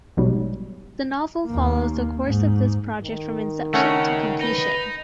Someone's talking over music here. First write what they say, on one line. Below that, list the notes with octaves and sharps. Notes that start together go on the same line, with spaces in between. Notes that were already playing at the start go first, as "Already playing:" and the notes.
The novel follows the course of this project from inception to completion.
A#1 G#2 B2 F#3 G3
D#2 A#3
G#2
D#3
C#3 A3 C#4 F#5 A#5
D#4 B4